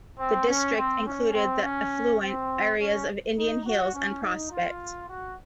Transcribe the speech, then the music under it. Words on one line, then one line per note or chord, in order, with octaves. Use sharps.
The district included the affluent areas of Indian Hills and Prospect.
C4
C#4
C4
C#4
C4
C#4
C4
C#4
D#4
F#4
C#4
D#4
F4
F#4